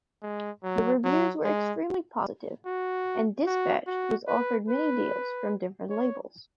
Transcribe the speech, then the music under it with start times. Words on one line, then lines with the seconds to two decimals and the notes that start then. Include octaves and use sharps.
The reviews were extremely positive and Dispatched was offered many deals from different labels.
0.22 G#3
0.63 F#3
1.04 F#3
1.44 G#3
2.66 F#4
3.46 F#4
3.87 F#4
4.28 B4
4.68 B4
5.89 C#5